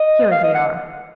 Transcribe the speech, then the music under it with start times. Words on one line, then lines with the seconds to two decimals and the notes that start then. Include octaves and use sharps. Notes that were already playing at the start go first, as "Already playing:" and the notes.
Here they are...
Already playing: D#5
0.31 F5
0.43 D#5
0.54 F#5